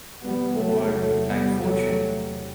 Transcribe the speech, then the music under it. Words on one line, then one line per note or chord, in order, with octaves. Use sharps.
Or looked like fortune.
E2 C3 G3 B3
F#3 A3
F#3 A3
G3 B3
F#3 A3